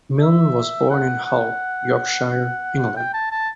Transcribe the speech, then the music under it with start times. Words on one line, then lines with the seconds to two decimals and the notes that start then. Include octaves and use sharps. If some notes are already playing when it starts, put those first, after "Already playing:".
Milne was born in Hull, Yorkshire, England.
0.21 E5
0.90 F#5
1.25 F#5
2.97 G5
3.14 A5
3.31 A5